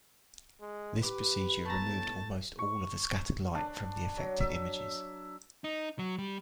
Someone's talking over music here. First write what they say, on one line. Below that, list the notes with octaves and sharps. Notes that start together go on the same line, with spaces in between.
This procedure removed almost all of the scattered light from the affected images.
G#3
G4 B4 D6
A2 A3 B3 A5 A#5
C#6
D4
F#3
E5
D#4
F#3
G3